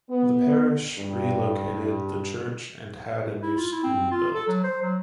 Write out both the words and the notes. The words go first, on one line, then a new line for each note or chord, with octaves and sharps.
The parish re-located the church and had a new school built.
B3
G2
E4
F4
E4
C4
F4
A4
F#3
C5
F#3